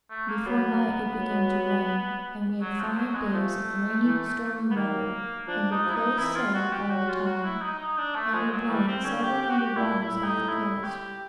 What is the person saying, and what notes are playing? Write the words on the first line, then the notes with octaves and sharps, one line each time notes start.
Before night it began to rain; and we had five days of rainy, stormy weather, under close sail all the time, and were blown several hundred miles off the coast.
A3
A#3
F#3 B3
F#3
F#3
F3
F#3
G#3
F3 A3
E3
B3
D#3 A#3
F3 D4
D#4
F3
E4
D#4
E3 E4
F4
F#4
G4
F#3 F#4
F4
F#4
E4
D#4
D#4
D4
A3
F3 G#3
F#3
E3 G3
C4
D3 C#4
G4
G4
F#4
G4
A#2 E4
E4
A2
D#4
E4
G4